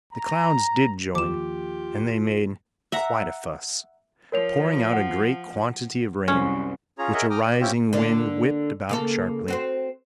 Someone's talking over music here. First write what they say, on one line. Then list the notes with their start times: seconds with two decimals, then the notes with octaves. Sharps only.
The clouds did join, and they made quite a "fuss," pouring out a great quantity of rain, which a rising wind whipped about sharply.
0.13 A#5
1.15 D#2 F3 F4 G4 D6 E7
2.92 E5 F#5 A#5
4.32 F3 A#4 C#5 F7
4.93 F#5
6.28 C2 F#2 C#4
6.99 C#4 F4 G#4 C#5 A#5
7.14 G#4 A#4 C#5 D#5 E5 F#5
7.30 G5 A#5 D6 D#6 F6
7.44 D5
7.61 C4 C#4 E4 F4 G4
7.93 D3 A#3 D4
8.89 C#3 A#3 A4
9.48 C4 F#4 C5